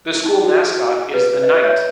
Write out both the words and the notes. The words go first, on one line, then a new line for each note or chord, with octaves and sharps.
The school mascot is the knight.
E4
D#4
F#4
G#4
B4
B4 D#5
C#5 E5